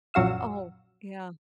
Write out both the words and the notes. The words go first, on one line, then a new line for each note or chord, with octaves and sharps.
Oh, yeah.
A#1 F#2 F#4 F5 E6